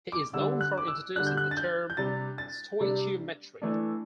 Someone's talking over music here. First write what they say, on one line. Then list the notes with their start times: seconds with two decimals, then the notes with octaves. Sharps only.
He is known for introducing the term "stoichiometry".
0.12 D6
0.33 D3 G3 D4 E6
0.61 F#6
0.78 D6
0.88 E6
1.16 D3 G3 D4 F#6
1.27 G6
1.37 F#6
1.51 A6
1.57 G6
1.90 G6
1.97 C3 G3 D4 A6
2.38 A6
2.81 C3 G3 D4
3.62 E3 A3 D4